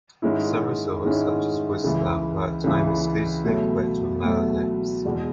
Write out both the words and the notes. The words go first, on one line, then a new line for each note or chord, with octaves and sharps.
Some resorts, such as Whistler were at the time exclusively equipped with Mueller lifts.
G#2 D#3 G#3 C#4 E4
G#2 D#3 G#3 C#4 E4
C#2 C#3 E3
C#2 C#3 E3
B2 F#3 A3
B2 F#3 A3
E2 B2 G#3